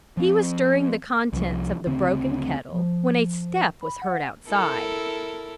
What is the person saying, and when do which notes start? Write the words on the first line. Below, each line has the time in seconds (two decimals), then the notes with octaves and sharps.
He was stirring the contents of the broken kettle when a step was heard outside.
0.17 F3 C4
1.33 C2 F3
1.87 D2 C#3 C4
2.72 F3
3.81 B5
4.02 F#5
4.49 E4 A4 A#4